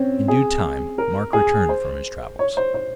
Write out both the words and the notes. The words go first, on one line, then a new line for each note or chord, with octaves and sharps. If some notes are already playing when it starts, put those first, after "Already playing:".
In due time, Mark returned from his travels.
Already playing: C4 C#4
G#4
A#4
G#4
C5
C#5
C5
C5